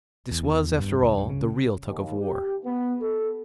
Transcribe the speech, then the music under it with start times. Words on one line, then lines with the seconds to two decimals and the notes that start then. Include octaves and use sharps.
This was, after all, the real tug of war.
0.31 E2
0.55 E2
0.78 G2
1.02 C#2
1.18 G2
1.29 C#3
1.86 D#2
2.19 G4
2.64 B3
3.01 A4